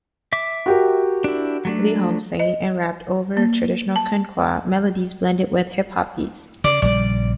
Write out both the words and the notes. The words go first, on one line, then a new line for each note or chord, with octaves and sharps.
Lee-Hom sang and rapped over traditional Kunqu melodies blended with hip-hop beats.
E5 D6
F#4 G4 A#4
D4 E4
F#3 A3 D4
D#5
A#3
A5
C#3 D5
A#1 C#3 G3 D5